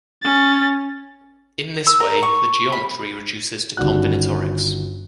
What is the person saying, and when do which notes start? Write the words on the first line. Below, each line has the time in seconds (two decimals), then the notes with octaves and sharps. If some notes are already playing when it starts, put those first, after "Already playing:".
In this way the geometry reduces to combinatorics.
0.22 C#4 A6
1.87 E6
2.00 A#4
2.23 C#6
2.72 B5
3.77 G1 D#3 G3 C#4 F#4 F#6